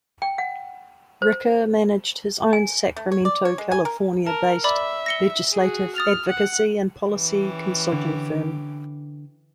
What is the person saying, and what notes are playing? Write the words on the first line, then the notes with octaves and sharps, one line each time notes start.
Ricker managed his own Sacramento, California based legislative advocacy and policy consulting firm.
G5
F#5
C5
G#5
A3
C#5
D5
C#5
G#3
G#5
A#4
A#4 A5
D5 E5 B5 D6
A#6 C#7 G7
F#4 G#4
D#6 F6 A6 F7
F#5
E3 C#4 G4
D3